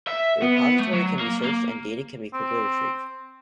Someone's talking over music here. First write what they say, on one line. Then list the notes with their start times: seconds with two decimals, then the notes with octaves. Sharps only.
The repository can be searched and data can be quickly retrieved.
0.07 E5
0.42 B3
0.57 B3
0.80 A3
0.93 F#3
1.19 A#3
1.44 A#3
2.33 C4